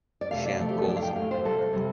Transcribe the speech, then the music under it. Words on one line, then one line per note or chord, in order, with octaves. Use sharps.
Chen Guozhan.
D5
C3 F3 A3 F5
D5
C3 F3 A3
G4
A4
A2 A3 D5 F5
G5
A2 A3 F5
C5
C3 G3 A4
C3 G3